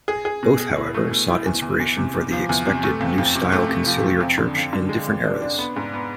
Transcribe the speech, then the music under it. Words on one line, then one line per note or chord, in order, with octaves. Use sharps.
Both however sought inspiration for the expected new style conciliar church in different eras.
G#4
G#4
B2
G#4
E4
A3
B2
E4
E2
E2
E2
C3
C3
F3
E2
C3
A3
F2
F2
C3
A3
C3
F3
F3
F2
D3
F2
D3
G#3
F2
D4
D4
B3
G#2
B3